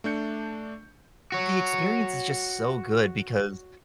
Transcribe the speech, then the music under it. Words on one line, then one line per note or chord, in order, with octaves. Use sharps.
The experience is just so good because,
A3 D4 G6 C#7
F#4 C#5